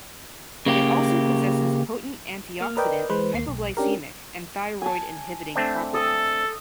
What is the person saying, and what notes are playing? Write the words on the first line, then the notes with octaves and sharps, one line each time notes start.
It also possesses potent antioxidant, hypoglycemic and thyroid inhibiting properties.
C#3 A#3 G4
A#3 F6
A#4 B4 D5 D#5 G5
E3 G#3 B4 C5
D#2 A#3 C7
B1
C#4 D4 G4 A#4
G#5 A5
A3 C4 D4
A4 D#5 E6